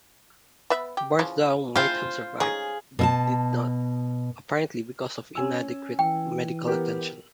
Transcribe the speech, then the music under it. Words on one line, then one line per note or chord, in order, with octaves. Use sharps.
Barthou might have survived, but did not, apparently because of inadequate medical attention.
B3 B4 E5
G4
C#3 E3 F3
G#3 C4 E4 F4 C5
G#3 C#4 D#4 G#4
B2 E5 A5
C#4 G#5 E6
E3 G5
B3 G4 A#4